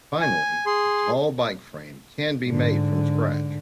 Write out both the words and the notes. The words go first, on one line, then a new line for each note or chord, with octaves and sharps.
Finally, a tall bike frame can be made from scratch.
G#5
G#4 C6
G#2 D3